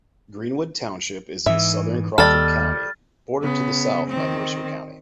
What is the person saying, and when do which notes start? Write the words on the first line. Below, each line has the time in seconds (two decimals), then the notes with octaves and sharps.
Greenwood Township is in southern Crawford County, bordered to the south by Mercer County.
1.46 G#2 E3 E5
2.18 D#2 G3 A4 F6 A6
3.42 C#3 B3
4.10 D#3 C4